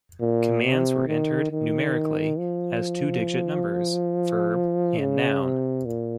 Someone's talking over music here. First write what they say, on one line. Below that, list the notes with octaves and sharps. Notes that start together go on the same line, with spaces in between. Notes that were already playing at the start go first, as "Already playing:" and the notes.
Commands were entered numerically, as two-digit numbers: Verb, and Noun.
A#2
C3
D#3
D#3
F3
C#3
C3
A#2